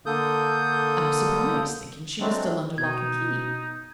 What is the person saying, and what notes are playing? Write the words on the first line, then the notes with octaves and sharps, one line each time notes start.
I was surprised, thinking she was still under lock and key.
D3 A#3 A4 D#6 G6
F#3 G#3 A3 C4 D4
B2 D#4 G#6